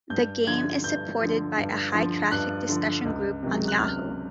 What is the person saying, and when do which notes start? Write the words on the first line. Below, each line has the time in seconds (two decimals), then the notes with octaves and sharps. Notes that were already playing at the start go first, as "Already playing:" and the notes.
The game is supported by a high-traffic discussion group on Yahoo!
0.10 G2 G6
0.47 D3 F3 G#6
0.84 G2 G6
1.21 D3 F3
1.58 G2
1.95 D3 F3
2.31 G2 F#6
2.69 D3 F3
3.05 C#2
3.43 C3 D#3 F#3
3.68 F#6
3.79 C#2 F6